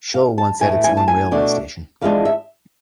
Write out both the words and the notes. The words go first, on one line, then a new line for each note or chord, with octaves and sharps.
Schull once had its own railway station.
F5
A5
A2 E3 A3 G#5
G#5
A5
G#5
B2 A3 D4
F2 E3 G#3 D4 F4 F5
E5